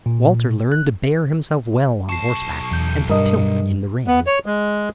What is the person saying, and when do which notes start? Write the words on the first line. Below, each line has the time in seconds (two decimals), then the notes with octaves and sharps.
Walter learned to bear himself well on horseback and to tilt in the ring.
0.06 A#2
0.72 F#6
2.09 B1 A5 C#6 C7
2.72 E2 G6
3.10 G2 A#4 D#5
4.08 B3
4.27 C#5
4.46 G#3